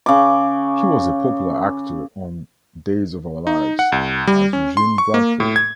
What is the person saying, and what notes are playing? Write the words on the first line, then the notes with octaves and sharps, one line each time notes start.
He was a popular actor on "Days of Our Lives" as Eugene Bradford.
C#3 D6
D#4
F#5
C2
G3
C#4
C6
C#6
A#3
A2
G#6